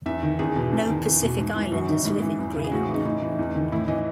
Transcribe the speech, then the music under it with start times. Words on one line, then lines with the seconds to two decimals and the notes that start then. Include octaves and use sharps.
No Pacific Islanders live in Greenup.
0.06 E2 E5
0.23 D#3
0.39 E2 G#4
0.56 B2
0.73 E2
0.89 D#3
1.06 E2
1.23 B2
1.38 G#2
1.56 E3
1.72 F#2 F#4
1.89 D#3 D#4
2.05 G#2 E4
2.22 E3
2.39 E2
2.55 C#3 E3
2.64 G#4
2.72 A2 F#4
2.83 G#4
2.88 E3
2.94 D#4
3.05 A2 D#4
3.22 E3
3.39 E2
3.55 D#3
3.72 A2 E4
3.88 E3 D#5